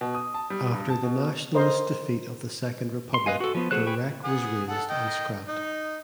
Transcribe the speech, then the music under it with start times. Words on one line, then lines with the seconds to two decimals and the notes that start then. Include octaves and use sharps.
After the Nationalist defeat of the Second Republic her wreck was raised and scrapped.
0.01 B2
0.15 D#6
0.34 A5
0.50 G3
0.73 G2
0.90 A5
1.03 B2
1.54 A#4 C5 D#5 C6
3.14 C6
3.26 B4 D#5 F5 G#5
3.40 F#4 A4
3.55 F3 B3
3.71 A3 F#4 G#4 C5 F#6
3.87 G#4 B4 G5 C#6
4.24 G#4 F#5 D#6
4.69 A4 F#5
4.90 D#5 G5
5.48 D#4